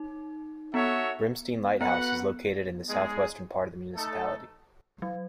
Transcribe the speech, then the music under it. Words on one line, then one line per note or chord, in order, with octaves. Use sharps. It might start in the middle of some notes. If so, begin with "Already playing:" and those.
Bremstein Lighthouse is located in the southwestern part of the municipality.
Already playing: D#4
B3 F#4 A4 C#5 E5
B3 F#4 B4 F#5
G#3 D#4 G#4
A3 D#4 A4
F#3